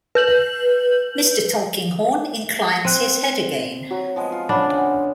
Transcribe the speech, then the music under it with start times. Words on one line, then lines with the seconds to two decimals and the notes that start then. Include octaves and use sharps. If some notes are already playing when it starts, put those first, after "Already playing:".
Mr. Tulkinghorn inclines his head again.
0.15 B4 G6 F#7
2.85 C4 F#6 D#7
3.91 F#3 F#4
4.16 F3 G#3 B3
4.32 F4
4.49 C#3 D4 C#5 F#5 B5
4.78 F#5 G#5